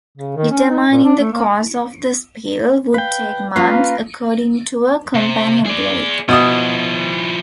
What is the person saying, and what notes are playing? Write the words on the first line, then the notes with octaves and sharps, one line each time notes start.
Determining the cause of the spill would take months, according to a company employee.
C#3
D#3
C#4
D#4
A#2
D4
A3
A#3
B4 F5 G5
A#3 C#4 F4 B4 F5 A#5
C3
G#4 D5
B2 F3 E4 D#6